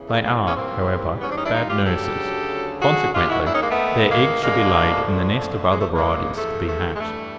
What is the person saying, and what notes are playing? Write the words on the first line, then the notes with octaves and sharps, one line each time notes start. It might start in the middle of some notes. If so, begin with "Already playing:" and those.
They are, however, bad nurses; consequently, their eggs should be laid in the nest of other varieties to be hatched.
Already playing: E2 C#3 E3
A3
G#3 A#3
B3 C#4
G#2 E3 G3 A#3 C4
B3 C#4
C4 D4
C#4 D#4
D4 E4
D#4 F4
F4 G4
D2 C#3 F#3 G4 A4
F#4 G#4
D#2 D#3 G#3 F4 G4
E4 F#4
D4 E4
C#4 D#4
G#3 A#3
A3 B3
G#3 A#3
F2 D3 F3 G#3 A#3
A3
E2 C3 F3 G#3
A3
G#3 A#3
A3
A3
G#3
G2 E3 G3 A3